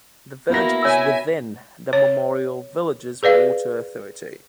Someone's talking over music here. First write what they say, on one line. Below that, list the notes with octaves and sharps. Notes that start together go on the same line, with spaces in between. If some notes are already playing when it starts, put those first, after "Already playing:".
The village is within the Memorial Villages Water Authority.
A#3 B3 E4 F#4 A#4 A#6
C#5 E5 G#5 E6
C#5
G#4 B4 D5 F5